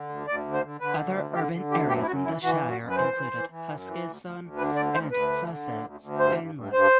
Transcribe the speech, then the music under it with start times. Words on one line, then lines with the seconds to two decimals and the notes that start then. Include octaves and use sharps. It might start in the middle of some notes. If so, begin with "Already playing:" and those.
Other urban areas in the shire included Huskisson and Sussex Inlet.
Already playing: D3
0.09 D2
0.27 D2 D5
0.45 D3
0.53 C5
0.63 D3
0.80 D3 B4
0.99 D2
1.17 D3
1.34 D3 G4
1.52 D3
1.70 D2 G4
1.88 F#2 G4
2.02 E4
2.07 F#2 F#4
2.24 E3 E4
2.42 E3 F#4
2.61 F#2
2.69 F#4
2.78 F#2
2.90 B4
2.96 E3 C5
3.13 E3
3.32 E3
3.50 E3
3.68 F#2
3.85 E3
4.03 D2
4.22 D2
4.39 D2
4.57 D3 B4
4.75 D2 D5
4.93 D2 C5
5.11 D2 B4
5.30 D3
5.47 D3
5.66 D2
5.83 D2
6.00 D2
6.19 G2 C5
6.37 G2
6.55 G2
6.73 G2 C5